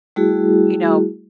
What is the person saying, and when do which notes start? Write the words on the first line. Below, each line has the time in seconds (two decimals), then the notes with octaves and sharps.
you know,
0.16 G3 A3 E4 F#4 G#4